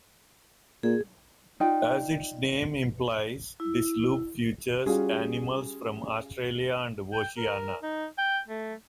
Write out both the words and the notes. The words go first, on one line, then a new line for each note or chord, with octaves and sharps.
As its name implies, this loop features animals from Australia and Oceania.
A#2 G#4
D#4 F4 D5 G5
E4
G3 C#4 F4 F#4 G#4
G5
A#4
D#4
G5
A3